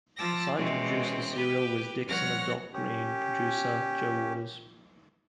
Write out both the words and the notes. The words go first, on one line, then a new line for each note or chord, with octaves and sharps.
Assigned to produce the serial was "Dixon of Dock Green" producer Joe Waters.
F3 F4 A5 D6 E6 A#6
B2 E3 G#3 C4 C#4
G4 B4
F2 G3 C#5 F#5 F6 A#6
C#4 G4